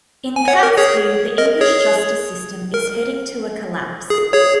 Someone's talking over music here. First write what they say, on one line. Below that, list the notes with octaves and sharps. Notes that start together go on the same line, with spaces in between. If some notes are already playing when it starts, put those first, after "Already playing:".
In Catt's view the English justice system is heading to a collapse.
G#5
C#5 F#5
A#4
G#4 C#5
A#4 D#5
G#4 C#5
A#4
G#4
G#4 C#5